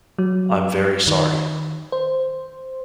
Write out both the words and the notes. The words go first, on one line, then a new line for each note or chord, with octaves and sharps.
I'm very sorry.
F#3
D#3
C5